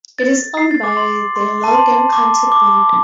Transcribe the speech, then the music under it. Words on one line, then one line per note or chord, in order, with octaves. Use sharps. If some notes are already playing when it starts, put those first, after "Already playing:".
It is owned by the Logan County Board.
A6
C7
A6
D6
C6
C6
A5
C6
D6
D6